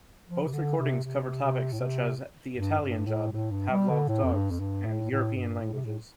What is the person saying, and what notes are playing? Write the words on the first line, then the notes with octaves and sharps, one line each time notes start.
Both recordings cover topics such as "The Italian Job", Pavlov's dogs and European languages.
F3
C3
D3
C3
C3
C3
A2
C3
G2
G2
A2
A2
G2
G3
D3
A2
F2
G2
F2
G2
A2
A2
G2
A2
C3
A2